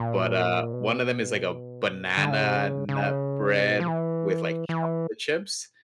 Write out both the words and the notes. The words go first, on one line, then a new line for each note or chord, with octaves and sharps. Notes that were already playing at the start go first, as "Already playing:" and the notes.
but, uh, one of them is, like, a banana nut bread with, like, chocolate chips,
Already playing: A#2
B2
D3
C#3
C3
C#3
C#3
C3
B2
F3
E3
E3